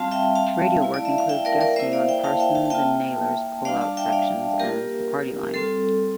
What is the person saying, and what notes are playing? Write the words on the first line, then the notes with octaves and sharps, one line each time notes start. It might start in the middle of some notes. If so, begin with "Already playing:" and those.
Radio work includes guesting on "Parsons and Naylor's Pull-Out Sections" and "The Party Line".
Already playing: G3 C4 F4 F5 A5
E5 G5
F5 A5
A3 E4
D5
E5
F5
E5 G5
A#4 D5
A#4 D5
A#3 E4 C5 E5
D5 F5
E5 G5
F5 A5
E5 G5
F5 A5
A5
A#3 F4 E5 G5
G3 D4 F4 D5 F5
F5 A5
E5 G5
D5 F5
A#3 F4 G4 A#4
G3 C4 F4 A4